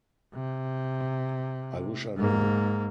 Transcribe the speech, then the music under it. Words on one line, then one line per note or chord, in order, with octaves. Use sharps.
I wish I knew.
C3
G#2 A#3